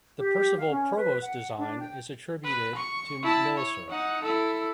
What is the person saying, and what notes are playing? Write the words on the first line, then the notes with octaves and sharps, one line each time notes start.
The Percival Provost design is attributed to Millicer.
G4
F5
C#4
B4
F#5
D4
G5
B4
C#6
E4 A5
C#5
D#4 F#5
E4 A4